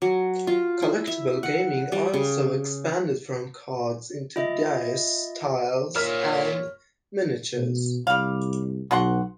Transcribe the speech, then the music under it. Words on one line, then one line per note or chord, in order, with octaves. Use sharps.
Collectible gaming also expanded from cards into dice, tiles, and miniatures.
F#3
F4
E4
E5
F#5
G3
C#3
F4 D#5 E5
A#2 F4 A#4 C#5 E5 F6 B6
B2
C2 G3 F5
B1 B2 F#5 C6